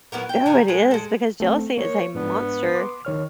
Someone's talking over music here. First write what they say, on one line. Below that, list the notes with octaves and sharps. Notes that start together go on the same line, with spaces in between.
Oh, it is because jealousy is a monster.
F#3 B3 E4 A#4
G5
D#3 G#5 A#5
G#3 G#4
G#3 A4
A3 C4 A4
A#3 C#5
G#2 B3 D4
C6 D6
D#3 C#5 F6